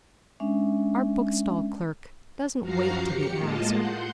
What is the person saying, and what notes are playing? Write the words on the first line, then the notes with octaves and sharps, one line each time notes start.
Our bookstall clerk doesn't wait to be asked.
G#3 C#4 D4 E5
F#2 F3 F#4 F5 A#5 C7
G4 C#7
A2 G#3 A#3 F4 D#5 A5
F#5 C6 G6